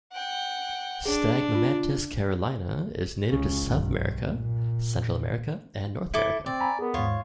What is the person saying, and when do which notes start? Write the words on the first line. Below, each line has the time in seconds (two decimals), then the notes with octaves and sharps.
"Stagmomantis carolina" is native to South America, Central America and North America.
0.12 F#5 G5
1.05 D4 G#4
1.55 F4
3.30 C#2 C#3
3.66 B1 G2
4.30 A#2
6.14 E4 A4 D6
6.46 C4 D5
6.60 G#5 A#5 B5
6.79 B3 G#4 A#4
6.94 D#2 G#2 F4 C#5